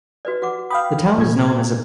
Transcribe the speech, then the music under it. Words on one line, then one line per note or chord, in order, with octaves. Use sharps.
The town is known as a balneologic and climatic resort.
F#4 B4 D5
F#4 F#5 D6
F5 G5 B5 D#6
A#2 D4 F4 G#6